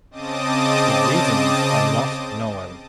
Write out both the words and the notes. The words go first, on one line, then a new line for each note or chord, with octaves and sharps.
The reasons are not known.
C#3 C4 D#5 A5 D6 D#6